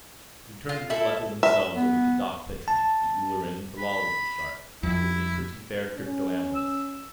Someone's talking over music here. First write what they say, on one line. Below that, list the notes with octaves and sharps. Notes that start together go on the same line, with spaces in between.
We turned the letters themselves over to Doc Petrie, the Ulleran philology sharp, who is a pretty fair cryptanalyst.
F4
E4 A4 E5
E5
B3
A5
B5
F2 E4
C#4
E6